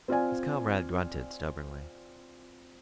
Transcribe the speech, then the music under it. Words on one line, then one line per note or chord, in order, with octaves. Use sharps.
His comrade grunted stubbornly.
C4 F4 D5 G#5